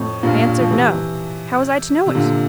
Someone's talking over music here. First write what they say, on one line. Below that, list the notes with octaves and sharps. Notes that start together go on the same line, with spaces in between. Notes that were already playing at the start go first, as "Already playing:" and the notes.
I answered, No; how was I to know it?
Already playing: F2 A2
G2 A#2
F3
C3 E3
C3
A#2 D3